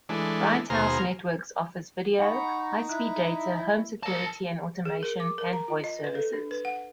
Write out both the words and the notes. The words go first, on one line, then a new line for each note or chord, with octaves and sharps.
Bright House Networks offers video, high-speed data, home security and automation and voice services.
E3 G#3 A3 D4
D#2 B2 G#4 C5 A#5 F6
D#4 F#5 A#5 B5 C#6
E4 F#6
A#4 D5 A5 A#5
G#4
A#4
D6
A#4
A#5
F4
D#5
B4
A4
D4
B4
F#5